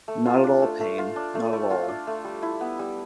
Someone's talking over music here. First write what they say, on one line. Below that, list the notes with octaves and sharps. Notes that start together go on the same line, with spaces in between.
Not at all, Payne, not at all.
A3
F4
D4
A3
A3
F4
D4
A3
A3
F4
D4
A3
G3
E4
B3
G3